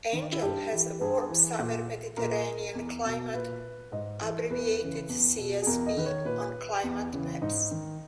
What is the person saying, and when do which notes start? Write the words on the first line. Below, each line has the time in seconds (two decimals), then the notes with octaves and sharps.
Angel has a warm-summer Mediterranean climate, abbreviated "Csb" on climate maps.
0.13 D#3
0.33 E4
0.42 G2 G4
0.71 E3
1.01 G2 G#4
1.29 E3
1.59 A#2
2.17 A#2 A#4
2.75 E2
3.05 B2
3.34 A#2 B4
3.92 G#2 D#5
4.21 E3
4.50 E2 B4
4.79 C#3 E3
5.09 E2
5.38 B2
5.62 G#4
5.67 E2 A#4
5.86 D#5
5.97 D#3 B4
6.06 C#5
6.25 A#2 B4
6.84 E2
7.13 C#3 E3
7.42 G#2 D#4
7.71 D#3